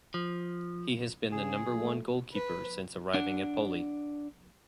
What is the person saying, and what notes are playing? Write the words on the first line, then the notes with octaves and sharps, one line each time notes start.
He has been the number one goalkeeper since arriving at Poli.
F3
C#3 G#4
A3
B4
D4 F#5